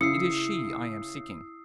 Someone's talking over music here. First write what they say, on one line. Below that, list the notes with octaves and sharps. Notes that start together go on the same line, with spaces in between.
It is she I am seeking.'
C#3 E4 D#6 E6 C7 C#7